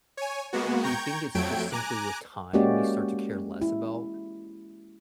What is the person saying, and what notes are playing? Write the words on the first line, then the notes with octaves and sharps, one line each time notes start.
do you think it's just simply with time you start to care less about
C#5 G#5
G#3 A#3 B3 F#4
G5 A#5 C#6 G6 G#6
F2 F#3 A3 G5 G#6 D7
G#5 A#5 D6 F#6
G#3 A#3 C#4 F#4 G4 D5
E4